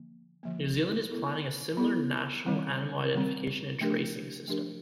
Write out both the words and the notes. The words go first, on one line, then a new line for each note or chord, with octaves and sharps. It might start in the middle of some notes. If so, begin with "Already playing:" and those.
New Zealand is planning a similar National Animal Identification and Tracing system.
Already playing: D3 F3 A#3
D3 F3 A#3
B3 E4 A4
B3 E4 A4
D#3 G3 C4
D#3 G3 C4
F3 A3 D4 G4 A#4
F3 A3 D4 G4 A#4